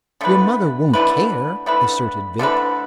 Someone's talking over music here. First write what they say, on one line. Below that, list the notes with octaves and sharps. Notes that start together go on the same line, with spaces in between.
"Your mother won't care," asserted Vic.
D3 A3 E4 B4
D3 A3 E4 B4
D3 A3 E4 B4
D3 A3 E4 B4